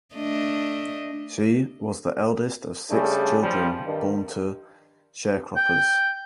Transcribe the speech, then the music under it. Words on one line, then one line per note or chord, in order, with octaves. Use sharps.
She was the eldest of six children born to sharecroppers.
A3 D4 D#5
C#3 G3 A3 D4 G#4
F3 G3
G2 D#3
G5